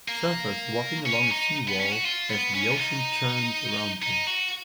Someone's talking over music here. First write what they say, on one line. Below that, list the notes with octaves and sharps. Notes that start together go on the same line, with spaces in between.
Surfers walking along a seawall as the ocean churns around them.
A#3
C#4
D#4
B3
C#4
F#4
F4
B3
C#4
F4
D#4
D#4
F#4